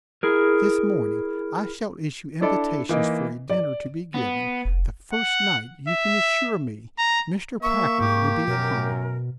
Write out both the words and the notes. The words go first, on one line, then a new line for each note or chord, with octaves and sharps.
This morning I shall issue invitations for a dinner to be given the first night you can assure me Mr. Packard will be at home.
E4 G#4 A#4
D4 E4 A4 D5
E3 A#3 D#4
D5
B3
F1
F#5
E5
A#5
A#3 E5 C#6
G#2 G4
F#2 B2 A#4